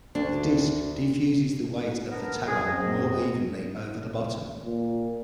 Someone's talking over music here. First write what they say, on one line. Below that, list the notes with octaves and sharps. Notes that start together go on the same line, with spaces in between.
The disk diffuses the weight of the tower more evenly over the bottom.
D2 D4
B3 D4 A#4
G#4
F#2 C4 G#4 D#5
A#2